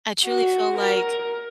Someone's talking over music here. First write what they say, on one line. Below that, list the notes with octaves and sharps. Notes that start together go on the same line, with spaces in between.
I truly feel like,
F#4
A#4